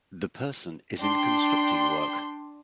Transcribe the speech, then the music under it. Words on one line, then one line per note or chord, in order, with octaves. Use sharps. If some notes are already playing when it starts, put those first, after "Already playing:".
The person is in constructing work.
D4 G5 C6